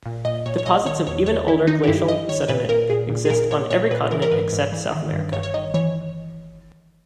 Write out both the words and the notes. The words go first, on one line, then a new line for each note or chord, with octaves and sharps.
Deposits of even older glacial sediment exist on every continent except South America.
A#2
A#2 D#5
A#2 C#5
C#5
A#2 D#5
D#3 C#5
E2 C#5
E2 C#5
D#3 E4
D#3 D#4
G4
G2 E4
G2 D#5
D#3 C#5
A#2 B4
A#2 A#4
A#2 G#4
A#2
G#4
A#2 A#4
A#2 C#5
A#2 C#5
A#2 B4
E3 A#4
A#4
G#2 B4
G#2
E3
D#3
G2
G2 C#5
C#5
D#3 D#5
E3 C#5